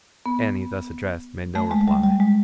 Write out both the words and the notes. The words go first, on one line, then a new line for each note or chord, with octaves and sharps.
Annie, thus addressed, made no reply.
B3
A3
G#3
G3
G3
G#3